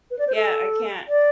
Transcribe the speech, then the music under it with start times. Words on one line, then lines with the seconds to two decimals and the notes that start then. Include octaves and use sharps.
yeah I can't,"
0.11 B4
0.19 D5
0.27 C5
0.35 A4
1.08 D5